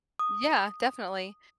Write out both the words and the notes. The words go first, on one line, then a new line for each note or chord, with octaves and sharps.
Yeah, definitely.
D#6